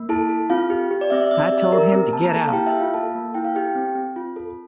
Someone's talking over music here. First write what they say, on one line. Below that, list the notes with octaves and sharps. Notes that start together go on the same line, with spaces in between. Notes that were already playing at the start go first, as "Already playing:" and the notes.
I told him to get out.
Already playing: A#3
E4 A4 A5
A4
C4 F4 F5
G4
G4
D5
C4 E5
E5
C4 E5
D5
G4
E5
G4 A#4 A#5
C4
A#3 A5
A#5
A#3 A4 A5
F5
E4 G4 G5
E5
A4
F4 F5
A#3 A4 A5
A#3
E4 G5
F5
G4 A4 G5
C4
C4
F4
A4